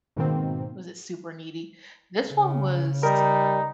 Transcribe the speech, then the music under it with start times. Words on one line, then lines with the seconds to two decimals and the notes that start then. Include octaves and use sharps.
Was it super needy? This one was
0.16 G#2 B2 D#3 A#3 C4
2.27 C#3
3.03 G3 D#4 A#4